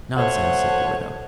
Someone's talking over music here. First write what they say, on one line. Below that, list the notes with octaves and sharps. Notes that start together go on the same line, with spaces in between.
"Nonsense," said the widow.
A3 F#4 C5 C#5